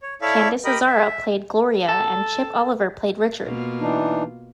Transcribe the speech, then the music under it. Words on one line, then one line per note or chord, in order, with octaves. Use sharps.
Candice Azzara played Gloria and Chip Oliver played Richard.
C#5
E4 A4 C#5 D5 E5 F5
G4 A#4 D#5 B5
E5
A4
B2 A#3 F4
E3 D4 D#4